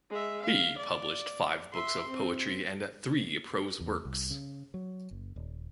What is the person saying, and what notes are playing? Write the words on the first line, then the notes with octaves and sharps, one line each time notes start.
He published five books of poetry and three prose works.
G#3 E5
F5
D5
E5 C6
C4
E2
C2
C#3
F#3
F#1
D#1